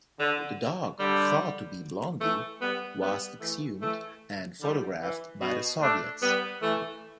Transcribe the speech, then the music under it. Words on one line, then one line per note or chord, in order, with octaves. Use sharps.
The dog thought to be Blondi was exhumed and photographed by the Soviets.
D3
D3 G3
E3 A3
G3 B3
G3 B3
E3 A3
E3 A3
D3 G3
E3
B2
A3 D4
G3 B3
E3 A3